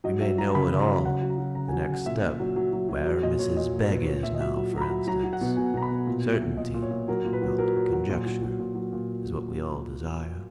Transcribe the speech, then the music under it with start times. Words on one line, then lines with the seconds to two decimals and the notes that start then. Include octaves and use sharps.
"We may know it all, the next step; where Mrs. Begg is now, for instance. Certainty, not conjecture, is what we all desire."
0.04 F#3 D#5
0.21 F#3 E5
0.38 F#3 A#5
0.55 C#3 B5
0.72 C#3
0.80 A#5
0.88 F#3
1.05 C#3 F#5
1.22 F#3
1.30 A#5
1.38 F#3
1.55 C#3 A#5
1.68 G#5
1.72 F#3
1.80 G#5
1.89 C#3 F#5
2.06 A#2 E5
2.22 A#2
2.40 F#3
2.56 F#3
2.73 F#3
2.89 F#3
3.06 F#3
3.23 A#2 D#5
3.39 A#2 C#5
3.57 A#2 D#5
3.73 A#2
3.81 B4
3.90 A#2
4.06 A#2 C#5
4.23 A#2 E5
4.34 D#5
4.40 F#3 E5
4.56 F#3
4.73 F#3 A#5
4.81 B5
4.90 F#3
5.07 F#3 A#5
5.24 F#3
5.33 F#5
5.41 B2
5.57 B2 G#5
5.74 B2 A#5
5.82 B5
5.91 B2
6.07 A#2
6.25 F#3
6.32 E5
6.41 F#3
6.57 A#2 D#5
6.74 A#2
6.82 C#5
6.91 A#2
7.08 F#3 A#4
7.25 A#2
7.33 B4
7.42 F#3
7.58 F#3 A#4
7.75 F#3
7.93 F#3
8.09 A#2
8.26 F#3
8.43 F#3
8.60 A#2
8.75 F#3
8.93 A#2